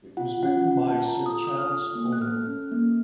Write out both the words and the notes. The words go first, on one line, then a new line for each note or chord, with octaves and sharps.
It was written by Sir Charles Oman.
F4 F#5
C#4 F#5
F4 F#5
A5
F4
A#5
A4
D#6
F4 D#6
F6
A4 D#6
A#3
F#6
A4 F6
C#4
A#3